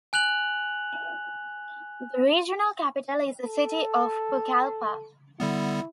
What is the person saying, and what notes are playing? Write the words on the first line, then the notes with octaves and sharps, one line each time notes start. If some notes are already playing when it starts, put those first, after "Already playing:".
The regional capital is the city of Pucallpa.
G#5 F#6 F7 F#7
A4
D3 G3 B3 E4